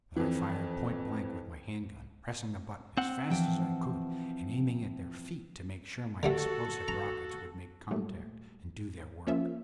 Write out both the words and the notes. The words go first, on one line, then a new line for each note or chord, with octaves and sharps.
But I fired pointblank with my hand-gun, pressing the button as fast as I could and aiming at their feet to make sure my explosive rockets would make contact and do their work.
F2 E3
C4 F#5
E3 F3 G5
D3 G3 A3 F#4 A4
A#5
A#2 F#3 G3 A3
F3 A#3 C#4 F4 E5